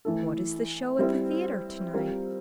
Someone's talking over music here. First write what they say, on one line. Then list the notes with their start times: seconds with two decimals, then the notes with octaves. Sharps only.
What is the show at the theatre to-night?
0.05 E3 A3 E4 A4
0.99 G3 C4 E4
1.94 G3 C4 F4 A#4